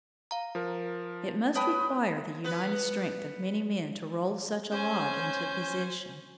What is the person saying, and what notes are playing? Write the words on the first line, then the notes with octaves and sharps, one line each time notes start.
It must require the united strength of many men to roll such a log into position.
F5 A#5
F3 A#4
B4 C#5 G5 A5 B5 D#6
B3 B4
C#4 C5 G#5 G6